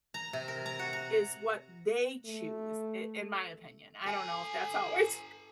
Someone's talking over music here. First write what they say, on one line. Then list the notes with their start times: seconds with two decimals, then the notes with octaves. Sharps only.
is what they choose, i in my opinion. I don't know if that's always
0.14 A#5
0.33 C3
0.48 A#4
0.66 A#5
0.79 F#4
0.93 A#5
2.25 A3
4.06 A4 G#5